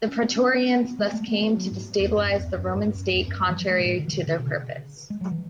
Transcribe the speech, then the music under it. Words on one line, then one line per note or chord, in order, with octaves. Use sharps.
The praetorians thus came to destabilize the Roman state, contrary to their purpose.
C#4
B3
C#4
B3
G#3
A3
B3
A3
F#3
G#2
E2
F#2
E2
F#2
G#2
F#2
E2
F#2
E3
F#3
G#3
B2
A2
D3
E3
D3
D3
B2
C#3
G#3
F#3
E3